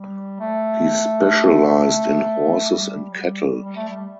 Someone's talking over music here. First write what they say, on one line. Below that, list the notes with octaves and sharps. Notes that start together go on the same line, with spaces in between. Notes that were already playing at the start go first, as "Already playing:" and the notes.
He specialized in horses and cattle.
Already playing: G3
A3
G3
F#3
G3
G3
A3
G3